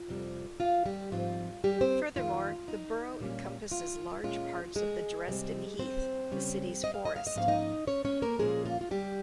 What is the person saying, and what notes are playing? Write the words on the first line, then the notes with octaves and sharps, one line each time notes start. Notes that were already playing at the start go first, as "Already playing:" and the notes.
Furthermore, the borough encompasses large parts of the Dresden Heath, the city's forest.
Already playing: F4
F2 C3 G3
F4 F5
G3 G4
G#2 F3 C4 F4
G3 G4
C4 C5
F2 D#3 G3 A#3 F4
D#4
A#2 G3 A#3 C#4
F4
A#2 G#3 C#4 F4
G#3 G#4
C3 G3 C4
C4 C5
C#3 G3 C#4
D#5
F5
D#5
F5
D#5
G#2 F3 A#3 C#4 F5
D#4 D#5
C#4 C#5
C#4 C#5
A#3 A#4
A#2 F3 G#3 A#3 C#4 G#4
F4
F4
G3 G4